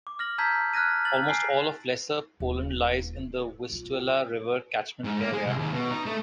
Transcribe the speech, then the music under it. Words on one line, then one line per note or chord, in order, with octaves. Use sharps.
Almost all of Lesser Poland lies in the Vistula River catchment area.
D6
F6 A#6 F#7
A5 A#5 E6 G6 G#6 B6
F6 F#6 G#6 A#6 D#7
A6 F#7
G#5 C7
D#1
B1 F4
G#2
A#3
G#3
C2
D#2
B2
D#4
A3